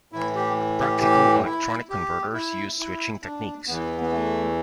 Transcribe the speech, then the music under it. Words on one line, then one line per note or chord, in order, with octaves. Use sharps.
Practical electronic converters use switching techniques.
A2 E3 E4
G4
G4
G4
E4
G4
E4
E4
D4
E2 E3 B3
B3
A3